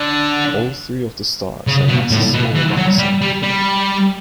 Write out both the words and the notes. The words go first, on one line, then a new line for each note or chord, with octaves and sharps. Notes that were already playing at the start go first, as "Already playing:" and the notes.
All three of the stars have masses smaller than the Sun.
Already playing: D3
C#3
B2
A2
B2
E3
F#3
G3
G3
G3